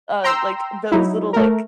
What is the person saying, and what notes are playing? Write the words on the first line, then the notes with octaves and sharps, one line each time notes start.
uh, like those little like,
G5 A#5 C6 E6
F#3 D#4 E4
A3 A#4